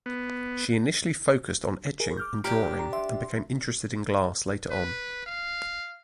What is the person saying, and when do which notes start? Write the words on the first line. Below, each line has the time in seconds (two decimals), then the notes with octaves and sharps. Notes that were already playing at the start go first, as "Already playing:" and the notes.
She initially focused on etching and drawing and became interested in glass later on.
0.06 B3
2.00 G#4 A#4
2.17 D6 F6 G6
2.44 D4 G4 A#5 F6 G6
2.79 A#5
2.93 E5 C6
4.70 B4
5.26 F5